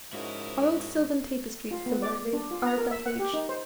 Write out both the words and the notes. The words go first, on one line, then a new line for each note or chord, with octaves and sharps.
Our old silvan tapestries, similarly, are of that age.
G#2 C#3 F3 C#4 E4 F#4 A#4 D#5
F4
B3
D5
D4
F4
A#5
A#4
E5
F#5
G4
D#4
C5